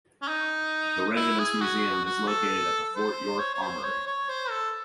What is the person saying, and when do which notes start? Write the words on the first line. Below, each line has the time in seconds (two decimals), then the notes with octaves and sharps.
The regiment's museum is located at the Fort York Armoury.
0.22 C#4
0.28 D#4
1.16 E4
1.39 G#4
1.61 F#4
2.05 F#4
2.28 A4
2.96 C5
3.39 C#5
3.54 C#5
3.62 C5
3.83 C#5
4.07 C#5
4.29 C5
4.50 A4